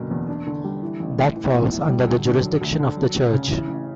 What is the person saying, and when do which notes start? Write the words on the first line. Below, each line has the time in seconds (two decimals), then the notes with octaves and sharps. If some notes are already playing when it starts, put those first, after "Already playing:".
That falls under the jurisdiction of the church.
Already playing: F#1 B2 D3
0.11 E2
0.29 D4
0.47 D3
0.64 G3
0.82 E3
1.00 A1
1.18 A2
1.36 E3
1.54 B1
1.72 A2
1.90 G3
2.07 D2
2.25 D3
2.43 F#3
2.61 D2
2.79 D3
2.96 F#3
3.14 C#2
3.32 C#3
3.50 E3
3.68 A1